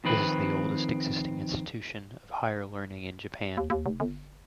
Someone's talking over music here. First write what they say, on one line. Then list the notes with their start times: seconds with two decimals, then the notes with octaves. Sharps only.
This is the oldest existing institution of higher learning in Japan.
0.04 F2 D#3 C4 B4
3.57 D#2
3.70 D#2
3.86 F1
4.00 G1